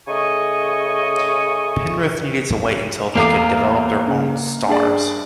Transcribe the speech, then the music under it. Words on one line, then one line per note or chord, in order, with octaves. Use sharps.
Penrith needed to wait until they could develop their own 'stars'.
C#3 A3 D#5 G#5 C#6
E2 A3 A#3 F5 D6
C#3
G2 G#4 D5